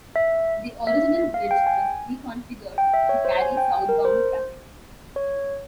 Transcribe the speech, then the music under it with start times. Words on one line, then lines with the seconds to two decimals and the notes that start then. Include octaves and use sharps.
The original bridge was reconfigured to carry southbound traffic...
0.16 E5
0.87 E5
1.34 F5
1.51 G5
1.67 G#5
2.78 G5
2.94 E5
3.09 C#5
3.25 C5
3.42 G#5
3.57 G5
3.89 A#4
4.05 C5
5.16 C#5